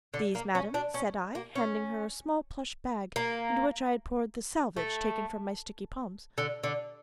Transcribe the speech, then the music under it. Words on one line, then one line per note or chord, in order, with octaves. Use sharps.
"These, madam," said I, handing her a small plush bag into which I had poured the "salvage" taken from my sticky palms.
D3
A#3
C#4
D4
C#4
A#3
C#4
A#3
A3
D3
D3